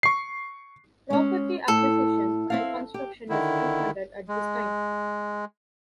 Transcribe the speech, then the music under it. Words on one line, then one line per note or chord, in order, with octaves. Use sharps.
Property acquisition and construction is unfunded at this time.
C#6 C7
G#3 C#4
A2 A4
C4 E4 F5
G4
D3 D#3 E4
G#3